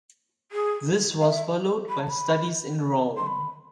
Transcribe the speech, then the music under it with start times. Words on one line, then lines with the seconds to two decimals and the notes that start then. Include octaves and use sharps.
This was followed by studies in Rome.
0.52 G#4
1.21 F5
1.25 E5
1.89 B5
1.99 A5
2.09 B5
3.17 C6
3.27 B5